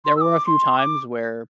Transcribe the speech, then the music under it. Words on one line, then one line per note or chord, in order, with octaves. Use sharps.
there were a few times where
C6
E6
D6
C6
D6